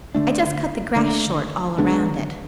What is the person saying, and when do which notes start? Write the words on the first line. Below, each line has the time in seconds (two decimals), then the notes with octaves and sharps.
I just cut the grass short all around it.
0.15 D3 A3 D4
0.96 D3 A3 D4
1.78 D3 G#3 B3 D4